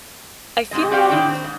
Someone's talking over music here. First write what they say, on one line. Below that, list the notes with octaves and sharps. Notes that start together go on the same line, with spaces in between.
I feel like,
G#2 C3 G#3 D#5
C4 F#4 G4 D5 F5 G5
A2 D#3 D4 D5 G5
C4
G#2